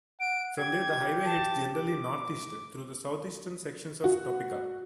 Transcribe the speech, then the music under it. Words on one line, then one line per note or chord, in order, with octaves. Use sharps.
From there, the highway heads generally northeast through the southeastern sections of Topeka.
F#5 D7
G4 G#6
A5
D6
F#4